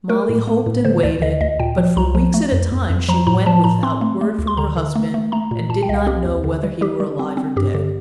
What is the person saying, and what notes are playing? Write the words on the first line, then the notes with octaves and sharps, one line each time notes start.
Molly hoped and waited, but for weeks at a time she went without word from her husband and did not know whether he were alive or dead.
A3 A#4
A2
A3
A2
D3 C5
D2 D5
D3 D#5
D2 D#5
A#2 G5
F3
C2 A#5
F3
A3
F2
F2
F2
F3 A#5
A2 A#5
F3 A5
A2 A#5
C4 C6
A3
A3
D2
C6
D3 A#5
D3
A3
A3
A3 A#5
A#2
A#2 A5
G5
C2 D#5
F5
C4 G4
D#2
D3
G3
G3 G4
G3
C4
C4
G2 G4
D3